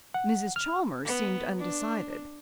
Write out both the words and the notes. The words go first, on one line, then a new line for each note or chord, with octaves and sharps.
Mrs. Chalmers seemed undecided.
F#5
F6
B3
D4